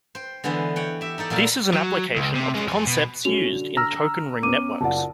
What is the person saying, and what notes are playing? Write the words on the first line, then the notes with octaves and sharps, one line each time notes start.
This is an application of the concepts used in token ring networks.
C5 G5
D3 E3 G#3 B3 C5
C#5 F#5 G5
G4 E5
D#4 G4 A4 D5
A#2 F#3 D#4 E4 F5 A5
F#3
C#2
C3
G#3 C#4
F2 G#5
B2
A3 C#4 F#4 F7
D3
A#5 E6 F6 A#6
B3 C#4 D6 D#7
F#1 F4 D5 F#5 A5